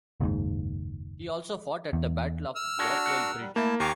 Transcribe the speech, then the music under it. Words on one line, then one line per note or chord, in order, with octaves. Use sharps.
He also fought at the Battle of Bothwell Bridge.
F#1 D#2 G#2
E2
E6 F6
D4 F#4 G#4 A#4 F#5
A#4 F#5
G3
A3 A#3 E4 A5
D#2 G4 F5 G#5 A#5 C#6 D6